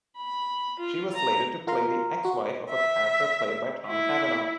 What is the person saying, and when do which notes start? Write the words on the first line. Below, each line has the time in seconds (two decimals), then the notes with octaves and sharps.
She was slated to play the ex-wife of a character played by Tom Cavanagh.
0.17 B5
0.79 F4
1.15 A#5
1.67 F4 A#4 F5 A#5 C6
2.25 F#4
2.70 E5
3.86 E4